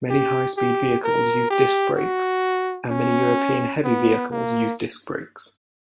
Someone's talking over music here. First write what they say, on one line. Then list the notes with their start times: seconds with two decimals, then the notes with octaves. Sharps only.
Many high-speed vehicles use disc brakes, and many European heavy vehicles use disc brakes.
0.10 G4
0.57 G4
1.04 A#4
1.50 G4
1.97 F#4
2.91 C#4
3.84 B3
4.31 A#3